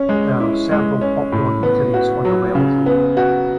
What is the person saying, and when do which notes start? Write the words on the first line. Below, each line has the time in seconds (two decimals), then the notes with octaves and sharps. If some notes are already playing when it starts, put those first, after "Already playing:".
There are a several popular eateries on the Wells Road.
Already playing: C#4
0.09 G#3
0.40 E4
0.71 G#3
1.01 C#4
1.32 A2
1.63 B3
1.94 F#4
2.25 F#3
2.55 C#3
2.86 B3
3.17 F#4